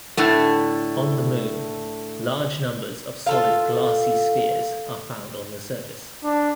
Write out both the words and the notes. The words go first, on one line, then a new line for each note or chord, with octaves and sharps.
On the Moon, large numbers of solid glassy spheres are found on the surface.
A2 D3 A3
F4 A4 F5
D4